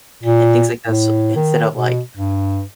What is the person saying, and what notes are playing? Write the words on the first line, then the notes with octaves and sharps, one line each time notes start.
and things like that, so instead of, like
A#2
A2
D#3
B2
G2